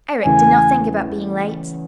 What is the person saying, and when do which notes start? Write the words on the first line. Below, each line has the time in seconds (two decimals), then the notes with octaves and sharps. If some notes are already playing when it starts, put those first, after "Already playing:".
Eric did not think about being late.
0.25 E2 C#3 E3 A3 C#4 G#5